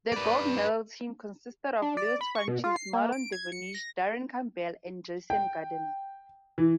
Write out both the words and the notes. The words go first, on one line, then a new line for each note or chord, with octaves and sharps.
The gold medal team consisted of Lewis-Francis, Marlon Devonish, Darren Campbell and Jason Gardener.
B4 D5
D4
D5
B5
C#6
B2
F4
C7
A#3
D7
G#6
C#7
A#6
G5
E3